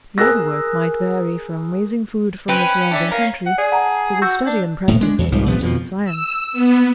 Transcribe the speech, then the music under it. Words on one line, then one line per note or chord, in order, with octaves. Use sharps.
The other work might vary from raising food from the surrounding country to the study and practice of art and science.
G#4 A#4 E6 F#6 A#6
C4 C#4 B4 G5 B5
D4 D5 E5
A#4 F5
F#5
G#4 D5
F#5 A5 A#5
F#4 E6 G6
D4
D#1 A2
G#3 D4
E2
C2 G#2 F3 G3
G#1 C3 F3 B3
F2 B2 F3
E6
B3